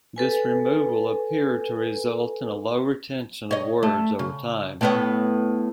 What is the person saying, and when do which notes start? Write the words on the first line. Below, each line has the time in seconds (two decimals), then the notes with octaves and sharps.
This removal appeared to result in a low retention of words over time.
0.16 A4 B4 G#5
3.51 C#5 D#5
3.83 A3
4.19 C#3
4.81 A2 B3 C#5